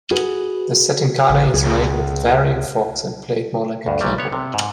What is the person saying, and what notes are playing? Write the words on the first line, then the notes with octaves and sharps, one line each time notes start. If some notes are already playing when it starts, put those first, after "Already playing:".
The setinkane is made with varying forks, and played more like a keyboard.
F#4 G#4 B4
A1
C#2 G#4
D2 G2
B1 A#2 F#3 G3
B3 C#5
C3
G#2